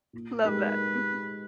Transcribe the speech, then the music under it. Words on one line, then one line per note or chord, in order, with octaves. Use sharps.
Love that. Mhm.
A#2
G#3 D#4 G4 A#4 B4